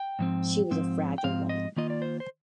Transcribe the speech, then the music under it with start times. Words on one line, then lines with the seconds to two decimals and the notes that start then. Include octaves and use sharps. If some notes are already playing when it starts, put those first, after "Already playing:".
She was a fragile woman.
Already playing: G5
0.19 G#2 F3 C4
0.71 G#2 F3 C4
1.18 G5
1.24 G#2 F3 C4 F5
1.49 D#5
1.76 D#3 A#3 F4 D#5
1.90 D5
2.02 C5
2.20 C5